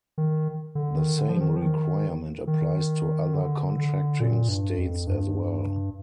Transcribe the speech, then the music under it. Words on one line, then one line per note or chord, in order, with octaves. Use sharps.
The same requirement applies to other contracting states as well.
D#3
D3
D#3
D3
F3
D#3
F3
D#3
D#3
D3
D3
A#2
G2
F2
G2